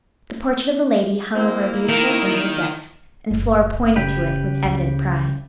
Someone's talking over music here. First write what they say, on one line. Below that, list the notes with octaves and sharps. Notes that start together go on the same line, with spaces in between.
The portrait of a lady hung over a beautiful inlaid desk, and Flora pointed to it with evident pride.
A#3 C4 E4
D#3 A#4
F#1 A2
C#3 G4 B4
C#2